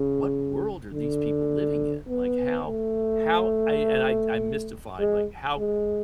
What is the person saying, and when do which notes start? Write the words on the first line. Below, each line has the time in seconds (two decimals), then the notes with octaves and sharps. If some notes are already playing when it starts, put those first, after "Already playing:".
"What world are these people living in," like, how how I and I I'm mystified, like, how
Already playing: C#3
0.92 D3
2.08 B3
2.67 A3
4.99 G#3
5.58 G#3